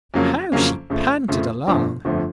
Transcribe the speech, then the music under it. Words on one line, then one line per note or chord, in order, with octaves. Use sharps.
How she panted along!
F2 C#3 F#3 A#3 C#4
F2 C#3 F#3 A#3 C#4
F2 C#3 F3 A3
F2 C#3 F3 A3
G1 F2 D3 F3 A3
G1 F2 D3 F3 A3